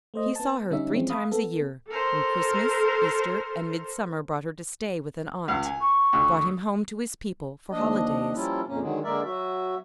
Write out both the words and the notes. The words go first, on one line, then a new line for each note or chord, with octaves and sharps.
He saw her three times a year, when Christmas, Easter, and Midsummer brought her to stay with an aunt, brought him home to his people for holidays.
A3 C5 D#5
B3 A5
D3 G3 C#4 D#4 E5
E3 F3 G#3 C4 C#4
F5 B5 D#6
B3 A4
A4 A#4 C5
C#2
G#5
C#6
D2
D#2 F3 D4 D#5
F3 G3 A#3 C#4 E4 F4
F2 A#2 C#3 A#3 C#4
D3 D#3 F#3 G#3
D3 G#3 A#3 A#4 D5 E5
F#3 F#4 E5